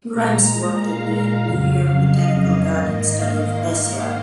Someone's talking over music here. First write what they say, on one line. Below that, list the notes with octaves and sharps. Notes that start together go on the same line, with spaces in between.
Grimes worked at the New York Botanical Garden studying Fabaceae.
A#2 G#3 A#5
F5
F2 C#3 F#3 F5
D#5
G#2 D#3 A#3 D#5
F5
F5